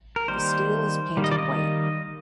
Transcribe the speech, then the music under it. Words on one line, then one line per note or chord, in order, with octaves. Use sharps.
The steel is painted white.
A#4
D#3 G3 A#3 C5
D#3 G3 A#3
D#5
D5
D#5